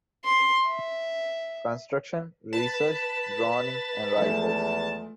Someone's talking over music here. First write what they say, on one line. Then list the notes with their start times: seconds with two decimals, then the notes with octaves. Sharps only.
Construction, Research, Droning and Rifles.
0.25 C6
0.67 E5
2.53 B4 A5
4.17 E2 F3 G#3 A3